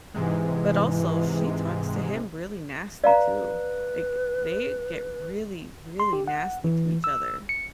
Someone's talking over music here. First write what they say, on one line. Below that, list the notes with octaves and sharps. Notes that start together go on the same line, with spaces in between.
But also, she talks to him really nasty too. Like, they get really, really nasty to each other.
G#2 C3 E3 G#3
B4 D5 F5 A#5
C6
G4
F#5
E3
E6
C#7